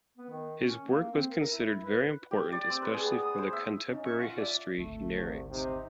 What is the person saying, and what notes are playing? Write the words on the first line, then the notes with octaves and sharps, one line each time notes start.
His work was considered very important especially for the contemporary history he narrates.
B3
D#3
C#4
A#3
C4
A#4
E4
B4
G4
D5
C4
B4
G#4
B3
D#6
C5
E5
C#4 D#4
E5 C#6
F4 F5 F#5 C#6
D5 E5
G#1 D2 A3
C2
C3 D#4